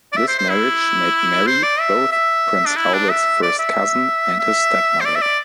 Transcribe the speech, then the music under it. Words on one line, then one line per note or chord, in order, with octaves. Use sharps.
This marriage made Marie both Prince Albert's first cousin and his stepmother.
D5
E5
C5
C5
E4
C5
D5
E5
E5
D4
E4
D4
E5
D5
E5
E5
C5
D5
E5
D5